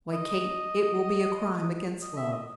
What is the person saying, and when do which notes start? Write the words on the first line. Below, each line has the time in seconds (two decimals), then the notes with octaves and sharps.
Why, Kate, it will be a crime against Love.
0.13 D#5
2.02 D#5
2.17 E5
2.32 D#5